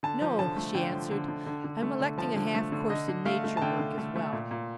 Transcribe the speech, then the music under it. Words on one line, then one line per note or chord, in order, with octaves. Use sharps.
"No," she answered, "I'm electing a half-course in Nature Work as well."
D3 A5
F3
D3 A5
A3
D3 G5
F3
D3
D3
D3
D3
A3
D3
F3 A5
D3
A3
D3
D3 D#5
D3
A3 F5
A3
A5
D3 G5
D3
A3
A3
A#2
A#2